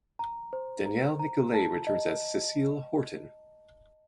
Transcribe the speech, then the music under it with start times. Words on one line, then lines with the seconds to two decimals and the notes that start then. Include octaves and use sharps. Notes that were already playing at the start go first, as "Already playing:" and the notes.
Danielle Nicolet returns as Cecile Horton.
0.19 A#5
0.53 C5
0.86 A#5
1.19 A#5
1.54 A5
1.87 D#5